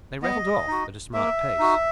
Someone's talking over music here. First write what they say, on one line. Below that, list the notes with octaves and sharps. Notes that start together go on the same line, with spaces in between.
They rattled off at a smart pace.
B3 D#5
D#4 F#4
A#3 E5
D#4 F#4